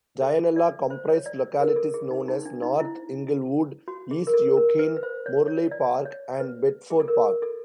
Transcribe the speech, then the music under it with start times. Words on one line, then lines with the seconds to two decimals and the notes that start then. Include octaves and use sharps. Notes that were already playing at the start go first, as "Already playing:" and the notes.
Dianella comprised localities known as North Inglewood, East Yokine, Morley Park and Bedford Park.
0.22 A4
0.56 D5
0.90 C5
1.09 C#5
1.26 D5
1.60 A#4
1.76 A4
1.94 G#4
2.11 D#4
2.28 D#4
2.45 D4
2.62 D#4
2.80 E4
3.88 F#4
4.11 G#4
4.27 A#4
4.34 A4
4.57 A#4
4.79 B4
4.96 B4
5.03 C5
5.26 C#5
5.48 C#5
5.71 D5
6.05 C#5
6.40 B4
6.90 G#4
7.00 A4
7.08 A#4
7.42 A4